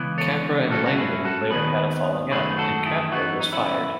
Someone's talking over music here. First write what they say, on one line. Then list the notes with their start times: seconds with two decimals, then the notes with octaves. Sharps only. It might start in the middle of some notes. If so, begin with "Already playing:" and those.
Capra and Langdon later had a falling out, and Capra was fired.
Already playing: C#2 C#3 E3 B3
0.18 A4 C#5
0.70 G#2 F#3 C#4 F#4 A4
0.86 F#4
0.97 E4 G#4
1.24 F#4 A4
1.51 D#2 D#3 G#3 B3 G#4 B4
2.31 F#2 D#3 F#3 A3 G#4 B4
2.58 F#4 A4
2.85 E4 G#4
3.12 F#2 E3 B3 D#4 F#4
3.41 D#4
3.52 C#4 E4